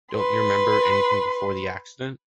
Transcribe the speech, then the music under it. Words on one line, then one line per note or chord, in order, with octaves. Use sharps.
Don’t you remember anything before the accident?
B4 C6